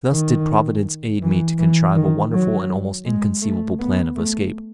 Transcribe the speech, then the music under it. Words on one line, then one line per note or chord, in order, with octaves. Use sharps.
Thus did Providence aid me to contrive a wonderful and almost inconceivable plan of escape.
D#3
E3
E3
D#3
F#3
G#3
A3
B3
A3